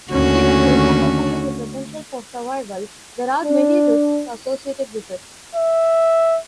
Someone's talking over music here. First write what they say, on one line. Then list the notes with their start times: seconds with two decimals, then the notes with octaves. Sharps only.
Even though supercooling is essential for survival, there are many risks associated with it.
0.12 D#2 D3 A3 C#4 F#4
3.44 D4
5.55 E5